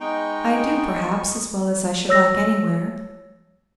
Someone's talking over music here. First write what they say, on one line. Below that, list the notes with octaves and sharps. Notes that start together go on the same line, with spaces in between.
I do, perhaps, as well as I should like anywhere.
G#3 B3 D#4 D#5 G5 C#6
C#5 E6 A#6